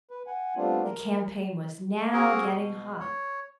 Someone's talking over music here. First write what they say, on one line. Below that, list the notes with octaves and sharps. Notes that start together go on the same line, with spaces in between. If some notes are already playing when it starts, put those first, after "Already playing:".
The campaign was now getting hot.
B4
F#5 G#5
G3 A3 B3 C4 D4 F4
A#4
A#3 C4 F#4 G#4 A#4
B2
C#5